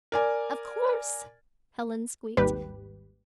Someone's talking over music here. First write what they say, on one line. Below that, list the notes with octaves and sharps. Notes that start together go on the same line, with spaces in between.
"Of course," Helen squeaked.
A#4 D5 G#5
G#1 D#2 G3 G4 B4